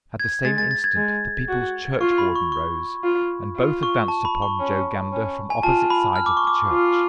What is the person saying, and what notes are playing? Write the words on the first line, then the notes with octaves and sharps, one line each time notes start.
At the same instant the people's churchwarden rose, and both advanced upon Joe Gander from opposite sides of the church.
G#6
G#3 A6
A6
A6
G#6
G#3
F#4
F4 C#6
B5
C#6
C#6
F4
F4
C#6
A5
B5
C#6
C#4
C#4
G#5
F4 A5
B5
F6
D6
C#6
D6
F4